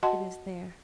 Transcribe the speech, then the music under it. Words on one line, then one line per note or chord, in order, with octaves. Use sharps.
"It is there."
F#4 D#5 F#5 A5 C6